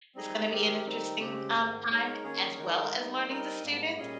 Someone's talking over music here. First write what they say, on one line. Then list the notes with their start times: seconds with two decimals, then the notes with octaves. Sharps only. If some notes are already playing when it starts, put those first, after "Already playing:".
It's gonna be an interesting, um, time as well as learning the student.
0.15 G3 C4 D#4 G#4 D#5
0.49 D#3 G#3 C4 G4 A#4
0.85 D#3 G3 C4 D#4
1.20 C#3 G#3 C4 G4
1.54 G#2 D#3 G#3
1.89 G#3 D#4 A#4 C#5
2.24 D#3 A#3 C#4 G#4 C#5
2.58 D#3 G#3 D#4 A#4
2.94 G3 A#3 D#4
3.27 G3 C4 D#4 A#4 D#5
3.63 G#2 G3 A#3
3.98 A#2 G3 C#4 G#4 D#5